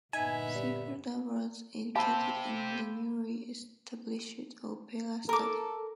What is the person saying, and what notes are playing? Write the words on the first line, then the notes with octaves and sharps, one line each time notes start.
She further was educated in the newly established Opera Studio.
G1 A#2 B3 D#4 E5 G#5
G3
G4 C5 F5 A5 B5 E6
A4 A#4 D6